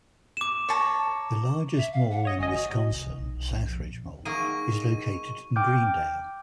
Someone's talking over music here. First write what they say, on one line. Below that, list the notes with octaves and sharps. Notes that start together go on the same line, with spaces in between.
The largest mall in Wisconsin, Southridge Mall, is located in Greendale.
D6 E7
C#5 A5 A#5
E5
F5
F#5
C#5 D#5
G1 D#5 G#5
F#4
C2
B1
F2 A#2
F#3 A#3 D#4 G#4 C#6 D#7
G5 D6 F6 G6